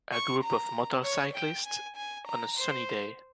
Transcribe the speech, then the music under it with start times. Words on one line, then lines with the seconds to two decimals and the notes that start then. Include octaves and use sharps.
A group of motorcyclists on a sunny day.
0.13 C#6
0.43 A#5
1.04 C#5
1.35 G5
1.65 G#5
1.96 G#5
2.27 A#5
2.57 C5